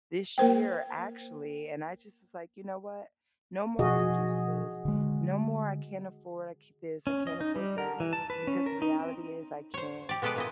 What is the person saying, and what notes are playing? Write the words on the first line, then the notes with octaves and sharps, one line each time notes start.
this year actually, and I just was like, you know what? No more excuses, no more, "I can't afford this, I can't afford that," because the reality is I can.
A#3 A#4 C5 G5
B2 F3 F#4 G#4 D#5
D3 G#3
C#4
D#5
D#4
G3
A#4
E3
A5
B4
C#4
A#4
D#4
C4
C5 C#5
G4 D5
B2 G#3 B3 A4 B4 D5
A#2 E4 D#5